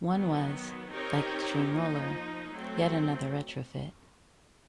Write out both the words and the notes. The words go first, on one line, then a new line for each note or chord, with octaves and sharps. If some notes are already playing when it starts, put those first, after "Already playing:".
One was, like "Extremeroller", yet another retrofit.
D#3 F#3 B3
C4 D#4 G4 A#4 C#5
F3 A#3 D#4
F#3 A3 C4